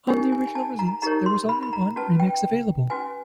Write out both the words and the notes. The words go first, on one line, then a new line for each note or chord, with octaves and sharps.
On the original release, there was only one remix available.
D#4 G4 A#4 C#5 G#5
G#5
G#5
A5
A#5
D#4 G4 A#4 C#5 A#5
C6
B5
B5
A#5
C#4 F#4 B4 A5
G5
C#4 F#4 B4 G#5